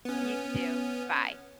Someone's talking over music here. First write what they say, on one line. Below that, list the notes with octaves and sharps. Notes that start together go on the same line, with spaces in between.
You too. Bye.
B3 C#4